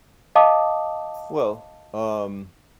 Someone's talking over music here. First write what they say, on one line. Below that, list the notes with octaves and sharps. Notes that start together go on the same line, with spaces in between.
Well, um,
D#5 F5 A5 D6 D#6